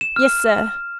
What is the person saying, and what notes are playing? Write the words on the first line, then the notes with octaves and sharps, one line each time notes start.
"Yes, sir."
E7
F6